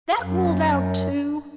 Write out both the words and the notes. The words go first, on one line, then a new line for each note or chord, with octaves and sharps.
That ruled out too?
F#2